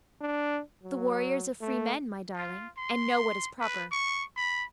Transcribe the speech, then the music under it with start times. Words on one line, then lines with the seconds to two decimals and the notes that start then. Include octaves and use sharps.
'The warriors are free men, my darling, and know what is proper.
0.21 D4
0.83 F#3
1.61 A3
2.36 F4
2.77 C6
3.60 B4
3.91 C#6
4.36 B5